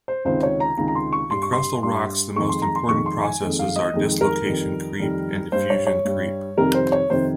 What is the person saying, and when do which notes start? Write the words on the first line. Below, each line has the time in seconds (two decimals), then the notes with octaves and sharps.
In crustal rocks the most important processes are dislocation creep and diffusion creep.
0.08 C5
0.25 C#2 C3 D#3 C5
0.43 C#5
0.60 A#5
0.78 C#2 C3 D#3 A#5
0.88 A#5
0.95 C6
1.13 C#6
1.31 G2 G3 C6
1.42 C#6
1.53 C6
1.83 G2 G3 C6
2.36 F2 D#3 G#3 C#6
2.49 C6
2.62 A#5
2.76 C6
2.88 F2 D#3 G#3 C#6
3.06 C6
3.24 G#5
3.41 F2 D#3 G#3
3.59 F5
3.76 D#5
3.94 F2 D#3 G#3
4.21 A#4
4.46 F2 D#3 G3
4.99 F2 D#3 G3
5.52 G2 G3 C5
5.70 C#5
5.87 C#5
6.05 G2 G3
6.57 F2 C3 D#3 G3 A#4
6.75 C5
6.92 C#5
7.10 F2 C3 D#3 G3 C5